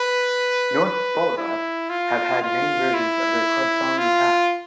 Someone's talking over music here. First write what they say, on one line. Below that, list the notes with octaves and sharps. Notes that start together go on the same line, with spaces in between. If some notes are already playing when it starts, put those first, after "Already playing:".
North Ballarat have had many versions of their club song in the past.
Already playing: B4
B4
E4
F4
F4
E4
F4